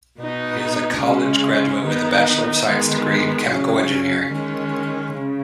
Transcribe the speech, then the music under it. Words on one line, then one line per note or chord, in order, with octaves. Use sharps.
He is a college graduate with a Bachelor of Science degree in chemical engineering.
B2 B3 D#4
C#3 G#3 C#4
D#3 B3 D#4
D#3 G#3 B3
C#3 F#3 C#4
D#3 G#3 C#4
C#3